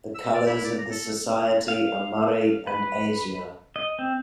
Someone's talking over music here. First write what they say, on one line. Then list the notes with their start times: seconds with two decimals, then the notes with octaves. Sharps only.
The colors of the society are murrey and azure.
0.15 E6
0.34 D5
0.47 E4
0.64 D5
0.78 A#5
0.91 A4
1.68 F5
2.67 B4
3.76 D#5
3.99 C4